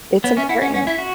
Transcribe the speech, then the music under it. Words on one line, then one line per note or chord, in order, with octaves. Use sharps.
It's important.
B3 C#5
C#4 E5
E4 F#5
C#4 F#5
C#4 F#5
E4 E5
F#4